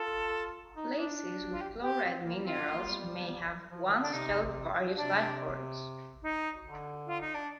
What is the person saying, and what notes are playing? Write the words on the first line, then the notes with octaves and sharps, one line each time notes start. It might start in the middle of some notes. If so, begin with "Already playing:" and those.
Places with chloride minerals may have once held various life forms.
Already playing: F4 A4
D#4
D4
F4
G4
G4
C4
A#3
C4 F4
D4
A#3
G3
F3
D#3
D3 D4
C3 D#4
C3 D4
D#4
D3
F4
D#4
D4